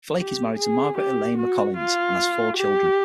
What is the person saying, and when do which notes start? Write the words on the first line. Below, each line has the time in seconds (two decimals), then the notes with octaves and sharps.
Flake is married to Margaret Elaine McCollins and has four children.
0.18 G4
0.57 G#4
0.97 G4
1.37 F#4
1.77 F4
2.57 G4